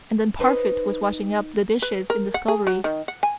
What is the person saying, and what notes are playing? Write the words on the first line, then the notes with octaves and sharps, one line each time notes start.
And then Parfit was washing up the dishes in the scullery.
D#4 B4 C5
B4
A#4
F#5
G#4
F#3
D#3
F#5
G#5